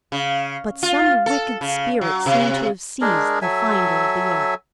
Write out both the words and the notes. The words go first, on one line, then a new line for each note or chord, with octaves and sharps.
But some wicked spirit seemed to have seized the finder of the ark.
C#3
F4
A4
C#3
F#3
C3
G#3 D4 G#4 A#4
F#3 A4 E5 G#5